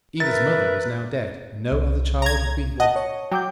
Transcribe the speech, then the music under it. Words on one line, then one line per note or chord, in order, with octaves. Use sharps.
Eva's mother was now dead, and no other child had been born.
A#4 B4 E5 A6
C2
A#5 G#6
D#5 F#5 A5
C#5
F#3 G5 D6 G6